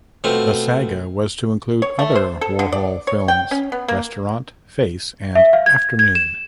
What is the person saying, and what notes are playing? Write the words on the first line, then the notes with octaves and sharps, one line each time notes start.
The saga was to include other Warhol films: "Restaurant", "Face", and "Afternoon".
B2 A3 C4 F4
C#5
A3
C5
A4
D3
D5
C#5
G5
C#4
B3
A#3
E5
F5
G#6
G#6
E7